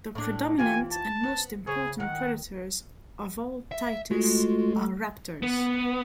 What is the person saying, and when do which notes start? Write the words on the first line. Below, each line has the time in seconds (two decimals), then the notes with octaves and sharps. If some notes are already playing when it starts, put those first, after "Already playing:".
The predominant and most important predators of all titis are raptors.
0.15 A2 D4
0.58 E3 F4 G4 G#5
0.93 A5
1.23 B3
1.67 C#3 G#4 C#5
2.00 D#3 F#5
3.72 E5
4.11 G#3 A3 F4 F#4
5.43 B3